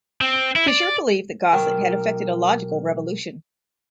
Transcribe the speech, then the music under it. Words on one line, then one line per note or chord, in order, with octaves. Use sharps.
Fisher believed that Gosset had effected a "logical revolution".
C4
E4
D5
B1 A#4 G5